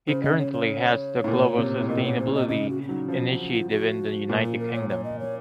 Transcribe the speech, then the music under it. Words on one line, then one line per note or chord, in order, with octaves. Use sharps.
He currently heads the Global Sustainability Initiative in the United Kingdom.
C#3 C5
D#5
C#5
C#5
A2
A#2
C3
A2
A#2 D#5
A#2 C#5
C5
C3
D#5
C#3 D#5
F#4
C#4
F#3 D#4
F3 C#4
C4
C#4
F4
F#4
A#2
F4
A#4
C#5
C#5
D#5
C#5